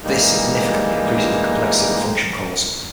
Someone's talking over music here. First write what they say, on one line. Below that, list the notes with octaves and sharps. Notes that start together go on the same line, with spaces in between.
This significantly increases the complexity of the function calls.
E3 G3 G#3 A#3 D#4